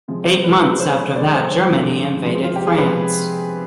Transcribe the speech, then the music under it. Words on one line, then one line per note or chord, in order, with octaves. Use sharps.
Eight months after that Germany invaded France.
C3 F3 G#3
C5
B4
C3 F3 G#3 B4
C5
C5
G2 D3 F3 G#3 D5
C5
C5
G2 D3 F3 G#3
C3 F3 G#3
F4
G4
G#4
C3 F3 G#3 B4